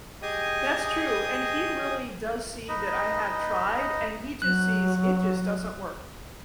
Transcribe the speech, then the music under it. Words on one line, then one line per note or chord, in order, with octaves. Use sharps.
That's true, and he really does see that I have tried, and he just sees it just doesn't work.
G4 G#4 D#5 G#5 D#6
D#4 B4 D#5
F#3 F#6